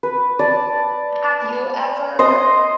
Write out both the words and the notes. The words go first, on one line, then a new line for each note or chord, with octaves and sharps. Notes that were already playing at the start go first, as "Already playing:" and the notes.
Have you ever
B4
D5 A5
C5 D#5 D#6